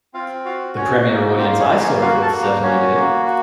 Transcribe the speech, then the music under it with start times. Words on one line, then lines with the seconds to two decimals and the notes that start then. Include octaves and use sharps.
The premiere audience I saw it with certainly did.
0.14 C4 F4 F5
0.45 F4 F#4 F5
0.76 C#4 F#4 C#5
1.08 A#3
1.38 C4 F4 C5
1.59 C#4 C#5
1.69 A#3
1.80 C#4 C#5
2.01 F4 F#4 F5
2.22 A4 A5
2.32 A#3
2.42 A#4 A#5
2.63 C#4 F#4 C#5
2.94 A#3
3.26 F#4